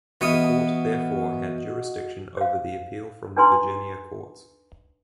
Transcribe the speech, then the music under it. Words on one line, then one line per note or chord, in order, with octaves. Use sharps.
The Court therefore had jurisdiction over the appeal from the Virginia courts.
E3 B3 F#4 D#5 F5 D#6
C5 F5
D4 D#4 B4 G#5 A#5 C6